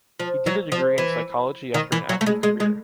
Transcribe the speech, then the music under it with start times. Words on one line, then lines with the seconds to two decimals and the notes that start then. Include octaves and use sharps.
He did a degree in Psychology after an active career.
0.19 F3
0.46 F#3
0.72 F3
0.98 E3
1.74 D#3
1.92 E3
2.09 F#3
2.21 A3
2.26 G#3
2.43 G#3
2.60 G#3